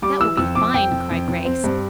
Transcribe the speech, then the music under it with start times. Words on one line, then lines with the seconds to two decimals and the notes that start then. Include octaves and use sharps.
"That will be fine," cried Grace.
0.02 G3 D6
0.20 E3 E6
0.37 F2 E6
0.55 F2 D6
0.74 F2 G5
0.91 F2
1.10 F2
1.28 F2
1.45 C4
1.64 G2